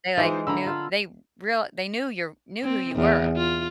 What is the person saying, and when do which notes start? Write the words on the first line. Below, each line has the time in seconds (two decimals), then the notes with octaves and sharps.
They like knew they real they knew your knew who you were.
0.17 E3 G#3 D#4 F4 C5
0.47 D3 A#5 B5 E6
0.66 F4
2.64 C4
2.95 E2
3.36 F4